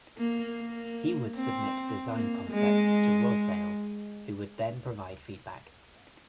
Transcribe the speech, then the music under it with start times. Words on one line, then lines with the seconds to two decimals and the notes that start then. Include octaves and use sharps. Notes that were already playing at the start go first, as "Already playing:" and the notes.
He would submit design concepts to Rosales, who would then provide feedback.
0.18 A#3
0.58 A#3
1.35 C4
2.12 A#3
2.51 G#3